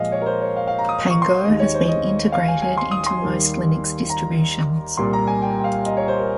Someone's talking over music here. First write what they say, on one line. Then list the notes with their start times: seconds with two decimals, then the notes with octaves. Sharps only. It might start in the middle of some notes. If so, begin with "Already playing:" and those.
Pango has been integrated into most Linux distributions.
Already playing: A#2 F3 G#3 D#5 F5
0.12 C#5
0.21 A#4
0.26 C5
0.42 C#5
0.56 F5
0.67 F5
0.79 A#5
0.89 D#6
1.11 C#6
1.22 C6
1.44 D#2 D#3 G#3 D#5
1.59 C#5
1.74 C5
1.88 D#5
2.32 F5
2.48 G#5
2.62 G#5
2.78 C6
2.91 D#6
3.06 C6
3.22 D#2 D#3 G3 A#3
4.10 A#5
4.97 C2 A#2 G3 A#3 C6
5.13 A#5
5.27 G#5
5.42 G5
5.59 G5
5.64 F5
5.86 D#5
5.97 C#5
6.08 C5
6.19 A#4